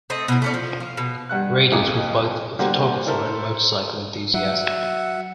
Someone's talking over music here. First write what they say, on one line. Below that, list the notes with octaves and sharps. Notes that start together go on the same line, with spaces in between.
Radius was both a photographer and a motorcycle enthusiast.
A3 C4 D#5
B2 E4
A3 C#4 D5
F3
F4
B2
G2 G3 F#5 F#6
B1 F2 A#3 G#4 G#5 D6
D3 G3 A#3 F#4 G4 C5
D4 E4 A4 A#4 C5
F#3 E5 F#5